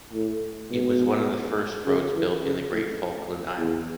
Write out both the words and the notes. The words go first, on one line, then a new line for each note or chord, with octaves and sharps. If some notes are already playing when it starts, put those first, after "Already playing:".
It was one of the first roads built in the Great Falkland island.
A2
B2
C#3
E3
C#3
A2
E2